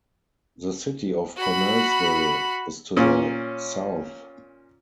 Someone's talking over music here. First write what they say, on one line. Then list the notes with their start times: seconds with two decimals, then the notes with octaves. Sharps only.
The city of Connellsville is to the south.
1.37 F#4 B5
2.97 A#2 C#4